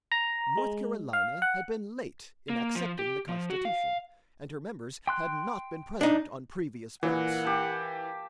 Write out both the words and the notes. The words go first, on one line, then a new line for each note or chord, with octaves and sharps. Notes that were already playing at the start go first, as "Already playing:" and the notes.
North Carolina had been late in accepting the Constitution, and her members had not been present on previous votes.
A#5
G#3
F5
F#5
A#3
F3
G4
F3
F#4
F5
G5 C6 F#6
D4 D#4
A#2 E3 F#5
G4 A5